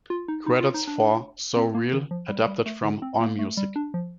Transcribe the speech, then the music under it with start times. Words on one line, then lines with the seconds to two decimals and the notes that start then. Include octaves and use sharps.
Credits for "So Real" adapted from Allmusic.
0.10 F4
0.28 D#4
0.46 D#4
0.61 F4
0.74 D#4
0.87 D4
1.56 C4
1.75 A#3
1.93 D#3
2.11 F3
2.29 G3
2.48 G3
2.66 A3
2.84 D3
3.02 C4
3.20 A#3
3.39 A3
3.57 G3
3.76 D4
3.94 F3